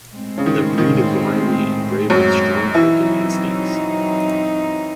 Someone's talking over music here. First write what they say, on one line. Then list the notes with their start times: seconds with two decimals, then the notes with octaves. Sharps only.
The breed is lively and brave with strong hunting instincts.
0.13 A2 G#3 C4
0.38 C#3
0.46 D#3
0.78 D#3
2.10 F#2 F#3
2.74 E3 F#3 C4 D#4 E4